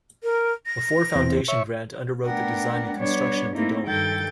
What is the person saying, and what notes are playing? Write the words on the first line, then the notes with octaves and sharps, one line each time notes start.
A Ford Foundation grant underwrote the design and construction of the dome.
A#4
A#6
E2 C4
C#5 E5 C#6
A3 B3 D4 A#4 F#5 G5
G3 B3 D4 C#5
A3 A#3 C4 D#4 E4
G2 D#3 A4 G5 G6 A6